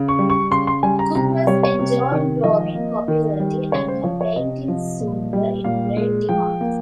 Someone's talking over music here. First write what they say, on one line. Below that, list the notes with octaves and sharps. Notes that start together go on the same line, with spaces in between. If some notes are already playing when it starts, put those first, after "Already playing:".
Cook was enjoying growing popularity and her paintings soon were in great demand.
Already playing: C#3
C#6
G3
C#6
C#3 C6
C6
G3 G#5
A#5
C3 A#5
G3 C#5
C#5
C3
D#3
F3 D#5
A#3
D#3
G3
C#3 C#5
C5
F3 C#5
C#5
C3 D#5
F3
A#2
G3
A#2 F5
G#3
F3 G5
A#3